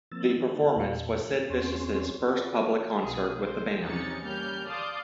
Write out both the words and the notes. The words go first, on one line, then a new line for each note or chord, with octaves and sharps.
The performance was Sid Vicious' first public concert with the band.
F3 A#3 C4 E6 A6
D#3 A#3 D#4
E2 A#2
E2 C4 C#4 G#4 C#5 C6
F4 F#4 G#4 B4 C#5 D5
B1 G#4
C5
E2 C3 C#4 D#4 A6 C#7
G3 A#3 C#4 F6 G6
D5 F5 A5 C6 D#6 G6